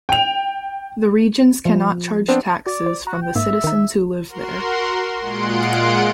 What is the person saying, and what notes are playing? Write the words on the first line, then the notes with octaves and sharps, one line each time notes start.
The regions cannot charge taxes from the citizens who live there.
G5 F7
F3
B3 C4 D4 C5
F#4 D5
C5
F#4 A#5
G5
G#2 A#3 E5
D#3 D#4
F#4 A#4 C6
A#2 G#3 F4 F#5 C6 D7